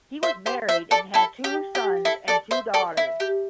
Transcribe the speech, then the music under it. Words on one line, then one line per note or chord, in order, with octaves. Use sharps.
He was married and had two sons and two daughters.
C5 E5
G4 C5
C5 E5
A4 D5
E4 A4
G4
G4
E4 A4
A4 D5
C5 E5
A4 D5
E4
G4